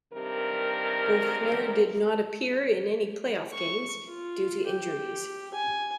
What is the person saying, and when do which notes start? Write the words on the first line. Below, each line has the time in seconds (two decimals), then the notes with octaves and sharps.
Boughner did not appear in any playoff games due to injuries.
0.13 G2 C3 D#3 G3 A#4
3.53 C#6
4.09 F4
4.67 G4
5.54 G#5